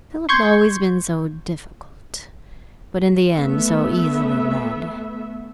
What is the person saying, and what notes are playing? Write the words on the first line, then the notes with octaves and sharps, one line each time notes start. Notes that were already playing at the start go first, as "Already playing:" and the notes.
Philip had always been so difficult, but in the end so easily led.
C6 C#6 G6 G#6
A3 B3 E5